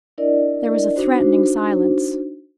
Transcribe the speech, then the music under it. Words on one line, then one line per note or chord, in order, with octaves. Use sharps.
There was a threatening silence.
D4 E4 A#4 D5 D#5
D4 D#4 F#4 C5